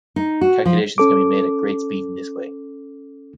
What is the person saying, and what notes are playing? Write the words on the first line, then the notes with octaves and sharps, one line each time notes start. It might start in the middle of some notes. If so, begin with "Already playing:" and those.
Calculations can be made at great speed in this way.
D#4
F#4
F3
C#4 A4 D6